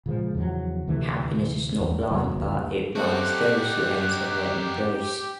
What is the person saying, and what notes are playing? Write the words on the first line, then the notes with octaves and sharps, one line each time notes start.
Happiness is not blind, but it blinds those who enter her embrace.
A#2 C#3 F3 G#3
E2 C#3 F3 F#3
D2 C3 E3 A3
E2
E2 C3 F#3 A#3
F#1 D2 A#2
A3 C4 D#4 F#4 G4 F#6